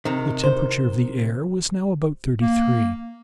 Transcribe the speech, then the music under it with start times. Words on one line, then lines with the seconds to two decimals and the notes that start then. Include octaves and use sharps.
The temperature of the air was now about thirty-three.
0.05 C3 D#3
0.43 C5
2.41 A#3